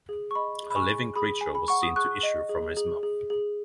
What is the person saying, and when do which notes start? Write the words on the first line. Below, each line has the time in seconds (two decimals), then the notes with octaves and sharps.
A living creature was seen to issue from his mouth.
0.09 G#4
0.31 C#6
0.35 D#5 B5
0.63 G#4
0.70 B5
0.76 G#5 C#6
0.89 G#4
1.15 G#4 B5 D#6
1.41 G#4 G#5
1.55 B5
1.68 F#5 C#6
1.83 D#6
1.96 G#4 C#6 F#6
2.23 D#5
2.49 G#4
2.77 G#4
3.03 G#4
3.30 G#4